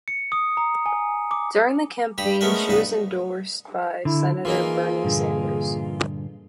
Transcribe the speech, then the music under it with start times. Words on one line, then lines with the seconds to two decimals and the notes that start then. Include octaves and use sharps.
During the campaign she was endorsed by Senator Bernie Sanders.
0.08 C#7
0.32 D#6
0.57 A#5
0.86 G#5
1.31 D6
2.18 G2 G4 B5 D#6
2.41 G#3 A3 B3 C#4 A#4 B4
2.68 C2 G2 B3 D#4 B4
4.05 D3 E4
4.45 E3 A#3 D#4 F4 G#4
5.04 G2 A#2 D3